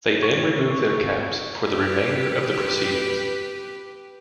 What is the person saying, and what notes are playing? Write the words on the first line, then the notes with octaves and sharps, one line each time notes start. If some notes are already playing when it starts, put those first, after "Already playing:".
They then remove their caps for the remainder of the proceedings.
C#5
G4 B4